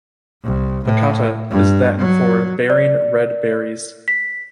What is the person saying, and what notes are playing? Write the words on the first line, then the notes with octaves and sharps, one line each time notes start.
"Baccata" is Latin for "bearing red berries".
C2
A2
G2
F#3
D5
B6